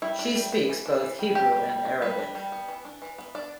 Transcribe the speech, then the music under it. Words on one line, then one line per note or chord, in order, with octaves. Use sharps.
She speaks both Hebrew and Arabic.
G3 E4
D4
G3
B3
E3
D4
E3
G3
D4 G4
G3
G3
D4
G3 B4
D4
G3
B3
E3
D4
E3
B3
D4 D5